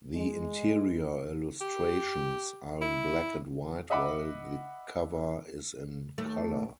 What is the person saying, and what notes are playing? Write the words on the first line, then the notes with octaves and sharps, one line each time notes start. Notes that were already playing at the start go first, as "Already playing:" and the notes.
The interior illustrations are in black and white while the cover is in colour.
G#3
G4
E4
D#5 E5 F#5 B5 D6
D#2 A3